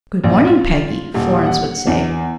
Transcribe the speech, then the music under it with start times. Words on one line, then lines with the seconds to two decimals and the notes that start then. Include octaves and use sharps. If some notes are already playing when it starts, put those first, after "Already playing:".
"Good morning, Peggy!" Florence would say.
0.24 A#1
0.47 F4
1.14 D#1
1.46 F#5
1.87 E2